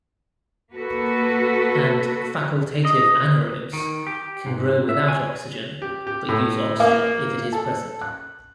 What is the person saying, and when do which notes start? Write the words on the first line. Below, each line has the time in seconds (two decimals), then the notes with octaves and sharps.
And facultative anaerobes can grow without oxygen but use oxygen if it is present.
0.72 A#3 F#4 A4 B4
2.85 D#5
3.73 D#3
4.07 G4
4.46 G#2
4.89 E5
5.08 G#5
5.82 G4
6.07 G4
6.29 A2
6.80 A#3
7.53 A4
8.01 F#6